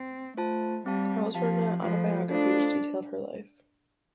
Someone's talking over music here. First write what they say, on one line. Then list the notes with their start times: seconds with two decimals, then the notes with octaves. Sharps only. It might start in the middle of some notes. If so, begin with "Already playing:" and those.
Carles wrote an autobiography which detailed her life.
Already playing: C4
0.37 A3 F4 C5 A5
0.86 G3 C4 G4 F5 A5
1.35 F3 C4 G4 F5 A5
1.83 F3 A3 F4 A4 C5 F5
2.31 A3 D4 F4 A4 C5 F5